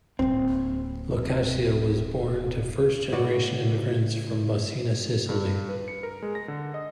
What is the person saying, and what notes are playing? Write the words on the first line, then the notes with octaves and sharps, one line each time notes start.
Locascio was born to first generation immigrants from Baucina, Sicily.
D1 A#3 C4
A2 C#3 F#4 B4 D5
G2
B4
C#7
A#4
G#3
A#6
D3
D#5